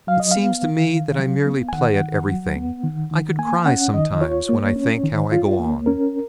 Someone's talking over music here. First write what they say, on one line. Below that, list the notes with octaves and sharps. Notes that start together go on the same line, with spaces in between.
"It seems to me that I merely play at everything. I could cry sometimes when I think how I go on."
F#3 F5
D#5
B3 F5
D#3
D#3
F#3
B3
G#5
D#3 F#5
D#3
F#3
B3
D#3
D#3
A#3 G#5
C#4 F#5
D#3 D#5
F4 C#5
A#3
C#4
D#3
F4
A#3
C#4 A#4